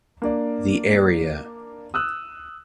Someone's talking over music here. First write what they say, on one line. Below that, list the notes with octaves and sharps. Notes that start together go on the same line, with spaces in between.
The area.
A#3 D4 D5
D#6 E6 F#6